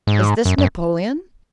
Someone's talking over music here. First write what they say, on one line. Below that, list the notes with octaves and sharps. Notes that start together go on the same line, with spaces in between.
"Is this Napoleon?"
G#2
F#2
F#2